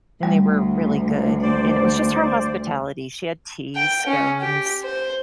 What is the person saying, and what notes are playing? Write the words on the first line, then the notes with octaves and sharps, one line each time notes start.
and they were really good. And it was just her hospitality. She had teas, scones,
D2 G3
C5 D5
G5
C#4
G4
C5